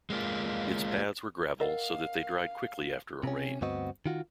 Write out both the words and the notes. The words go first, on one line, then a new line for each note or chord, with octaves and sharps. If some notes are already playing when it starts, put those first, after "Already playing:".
Its paths were gravel, so that they dried quickly after a rain.
G#3 A#3 F4
A#4 D#5 F5 F#5
C3 C#4
D2 G2 B3 C4 F#4 D#5
D#3 F4 F#4